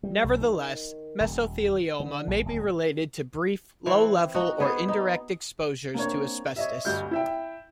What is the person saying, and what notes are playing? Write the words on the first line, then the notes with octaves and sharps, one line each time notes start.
Nevertheless, mesothelioma may be related to brief, low level or indirect exposures to asbestos.
G3
B1
D#3
D#1
D3
A#1
D1
E3 C4
D#4 F#4
B3 G#4 C5
D#4
A#3 C4 D4 C#5
C#5 D#5 E5
D2 G2 D#5 G6
E4 E5 G5